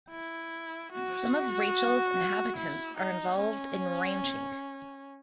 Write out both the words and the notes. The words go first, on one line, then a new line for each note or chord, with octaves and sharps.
Some of Rachel's inhabitants are involved in ranching.
E4
F#4
E4
D#4
C#4